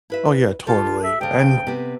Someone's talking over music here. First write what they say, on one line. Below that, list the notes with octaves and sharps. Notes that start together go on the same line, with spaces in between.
Oh, yeah, totally. And f
E4 B4 E5
F4 G4 A4
E5
D2 C#3 G5
C3 B3